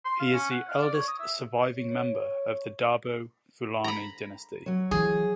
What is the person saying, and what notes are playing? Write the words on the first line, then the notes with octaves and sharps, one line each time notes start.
He is the eldest surviving member of the Dabo Fulani Dynasty.
C6
F5
C#4
F#5
F5
D5
C#5
D#6
E5
C#5
A#5 B5
F#3 C#5
E3 G#4